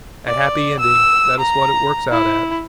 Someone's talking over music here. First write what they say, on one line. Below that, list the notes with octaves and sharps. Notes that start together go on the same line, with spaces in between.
A happy ending, that is what it works out at.
D5
E6
A#5
E4